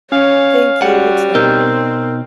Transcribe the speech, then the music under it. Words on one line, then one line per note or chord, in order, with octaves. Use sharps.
Thank you, you too.
C#4 C#5 F5
G3 F#4 F#5
B2 C4 D#4 A#4 E6 G6